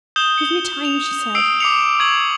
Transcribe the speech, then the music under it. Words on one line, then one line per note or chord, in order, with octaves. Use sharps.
"Give me time," she said.
D#6 G6 E7 G7
C#7 G7
F7
D#6 E6 C7 D7
D6 D#6 C7 C#7 F7
C#6 G#6 F#7